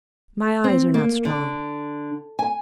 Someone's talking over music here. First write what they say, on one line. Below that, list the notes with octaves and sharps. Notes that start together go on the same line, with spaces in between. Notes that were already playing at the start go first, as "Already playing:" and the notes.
"My eyes are not strong."
C4
A#3
D3
G#5